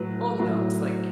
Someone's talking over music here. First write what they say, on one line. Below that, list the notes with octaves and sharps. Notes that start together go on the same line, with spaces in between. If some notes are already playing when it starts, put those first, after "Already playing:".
Well, you know, it's like
Already playing: A2 F#3 B4
A2 F#3